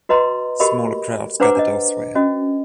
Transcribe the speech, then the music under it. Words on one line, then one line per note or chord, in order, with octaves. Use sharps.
Smaller crowds gathered elsewhere.
F#4 B4 D#5 A#5 C6
F#4 G4 A#4 D#5 B5
D4 B4 C5 F#5 A#5 D6
D4 D#5
C#4 F#4 D#5